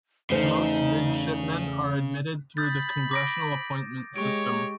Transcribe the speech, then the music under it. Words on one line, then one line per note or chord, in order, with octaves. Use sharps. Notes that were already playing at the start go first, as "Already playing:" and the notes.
Most Midshipmen are admitted through the congressional appointment system.
E2 C#3 A3 D#4 C5
B5 D#6 G6 A6
D6 A#6 D7
G#3 G4 C#5 C#6 D7